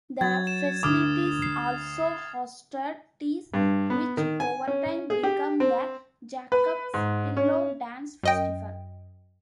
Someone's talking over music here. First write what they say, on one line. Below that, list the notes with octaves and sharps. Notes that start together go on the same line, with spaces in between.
The facilities also hosted teas, which, over time, became the Jacob's Pillow Dance Festival.
F#3 G#6 A6
E7
D2 D6 D#6 F6
C7
G2
B3
D#3
G#5
C#4
G#4
G4
C4
B4
G#2
C#4
F#2 D#5 G5